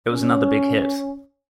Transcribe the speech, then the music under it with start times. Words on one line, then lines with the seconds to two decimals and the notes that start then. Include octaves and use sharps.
It was another big hit.
0.12 C#4